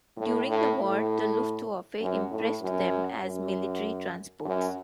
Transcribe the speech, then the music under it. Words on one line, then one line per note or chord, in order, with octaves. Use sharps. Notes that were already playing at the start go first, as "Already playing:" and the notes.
During the war, the "Luftwaffe" impressed them as military transports.
A2
A2
A2
F#2
A2
F#2
F#2
F#2